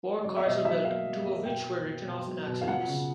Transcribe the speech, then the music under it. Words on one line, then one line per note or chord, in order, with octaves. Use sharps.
Four cars were built, two of which were written off in accidents.
F#3 D5
E5
B2 D#5
F#3 E5
A#3 F5
F#3
A#3
B2 G5
B2
B2
B2
F#3
B2
F5
F3 F#5
C#3